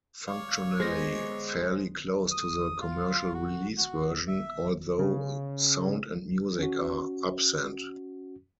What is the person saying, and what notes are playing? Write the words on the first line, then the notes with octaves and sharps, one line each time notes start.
Functionally fairly close to the commercial release version, although sound and music are absent.
C#5 D5 F5
G#3 B3 G#4 C5 D#5 A#6
D#6
F4
F#4
F#4
E5
C#3
C#4 F#4